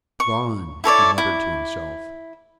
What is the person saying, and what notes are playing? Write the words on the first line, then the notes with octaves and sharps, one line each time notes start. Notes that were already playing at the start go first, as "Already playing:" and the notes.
"Gone!" he muttered to himself.
C#6
E4 A4 C#5 D5
E4